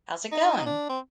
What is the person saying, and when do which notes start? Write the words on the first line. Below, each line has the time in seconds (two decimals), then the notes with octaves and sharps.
How's it going?
0.32 D#4
0.57 D#4
0.66 D4
0.90 C4